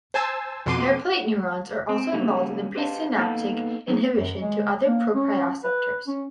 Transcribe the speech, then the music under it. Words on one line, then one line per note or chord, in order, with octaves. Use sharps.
Hair plate neurons are also involved in the presynaptic inhibition to other proprioceptors.
C5 G#5 A5 E6
F2 B2 C6 D6 D#7
C4
C#3 F#3 G3 A#3 C#4
G4 B4 C5 D#5 F5 A5
A#3 B3 D#4 A4 B4 F5
F#3 D#4 F#4 G#4
F#2
G#3
A#3
C#4
B4
C#4